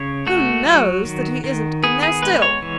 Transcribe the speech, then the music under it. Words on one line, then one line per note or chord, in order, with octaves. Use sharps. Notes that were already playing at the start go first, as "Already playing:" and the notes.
Who knows that he isn't in there still?'
Already playing: C#3 C#5
A3 F#4
F#3
D#3
D#3
B3 G#4
G#4
G#3 B4
C#5
E3